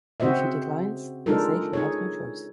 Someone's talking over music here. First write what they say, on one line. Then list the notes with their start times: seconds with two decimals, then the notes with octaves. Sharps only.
When she declines, they say she has no choice.
0.20 C#3 C4 F#4 C5 D#5 E5
1.26 G#3 D4 D#4 F4 A4 A#4
1.73 D#4 G#4 C#5